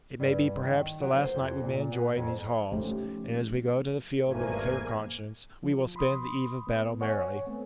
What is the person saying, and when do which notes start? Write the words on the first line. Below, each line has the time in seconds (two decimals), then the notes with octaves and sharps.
It may be perhaps the last night we may enjoy in these halls, and as we go to the field with a clear conscience, we will spend the eve of battle merrily.'
0.20 G2
0.62 D#3
1.00 F#3
1.13 C5
1.35 F2
1.61 A#2
1.91 B3
2.16 F2
2.72 F3 A3 C#4 D#4 G4 C5
4.27 G#1 E2 G2 F3 A3 A#3 G#5
5.63 F3
5.96 B5 C6 D#6
6.67 B3
7.01 C#5 F#5 G#5 C#6
7.47 A3 B3 C4